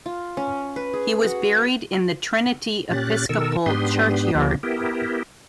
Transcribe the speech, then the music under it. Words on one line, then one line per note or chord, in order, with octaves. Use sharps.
He was buried in the Trinity Episcopal Churchyard.
F4
C#4
B4
G#4
F#4
A#2 C#4 G4 F#6 A6
B2 D#3 A4 A#4 E6
G#2 B3 D4 G4 C6 D#6
D2 F3 A#3 G4
B3 E4 G4 A#4